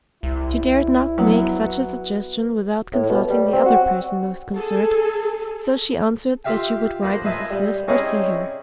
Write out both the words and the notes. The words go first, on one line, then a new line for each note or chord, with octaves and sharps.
She dared not make such a suggestion without consulting the other person most concerned, so she answered that she would write Mrs. Smith or see her.
C2 E4
F#3 B3
A2
B2
G3
C4
F#4
G#4 A4
F4 G4 E5 F5 G5
F3 A#3 B4 C5
B4 D#5 E5 G#5 A5 C6
G3
C4 C#4 D#4 E4 G#4 D5